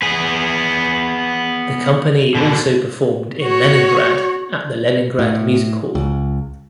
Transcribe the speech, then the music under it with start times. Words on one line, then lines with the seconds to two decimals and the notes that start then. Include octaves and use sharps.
The company also performed in Leningrad at the Leningrad Music Hall.
0.02 B3 G#4
2.35 B2 D3
3.42 F#4 C#5
5.19 A2
5.95 C#2